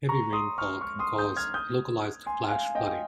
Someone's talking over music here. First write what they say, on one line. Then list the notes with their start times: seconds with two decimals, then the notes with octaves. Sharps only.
Heavy rainfall can cause localized flash flooding.
0.09 A#5 C#6
0.33 C6 D#6
0.58 C#6 F6
0.81 C#6 F6
0.99 C6 D#6
1.18 D#6 G6
1.37 F6 G#6
1.54 D#6 G6
2.26 G#5 C6
2.50 F5 G#5
2.75 D#5 G5